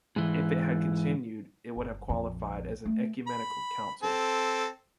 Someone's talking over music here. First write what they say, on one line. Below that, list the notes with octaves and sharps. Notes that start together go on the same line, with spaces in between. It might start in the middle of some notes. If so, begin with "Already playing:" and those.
If it had continued, it would have qualified as an ecumenical council.
G#2 E3
G1
A#1 F2
A3
B5
C4 A4